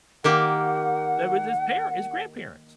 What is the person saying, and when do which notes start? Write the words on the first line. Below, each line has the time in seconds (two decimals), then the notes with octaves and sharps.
That was his parent his grandparents.
0.24 D#3 A#3 G4 F#5